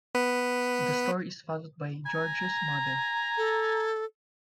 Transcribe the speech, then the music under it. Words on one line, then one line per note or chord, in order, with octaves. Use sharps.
The story is followed by "George's Mother".
B3 B4
G#5 A#5
A4